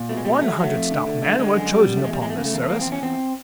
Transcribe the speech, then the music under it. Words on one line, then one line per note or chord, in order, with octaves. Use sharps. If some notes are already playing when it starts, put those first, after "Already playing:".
One hundred stout men were chosen upon this service.
Already playing: A#2
B2 A3
G#3
B2 G3
G#3
F#3 A3
G#3
F#3
A3
F2
D3
D3
D3
A3
D3 G#3
F#2 G#3
F#2 G3
F#2
A3
E2 G#3
G3
E2 G#3
A3
C#3 A#3
A3
E2 A#3
A3
E2 A#3
C4
E2
C#4
E2 C4